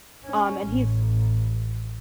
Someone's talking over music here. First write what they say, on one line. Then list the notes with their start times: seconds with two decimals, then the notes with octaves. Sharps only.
um, and he's
0.25 C#4
0.67 A1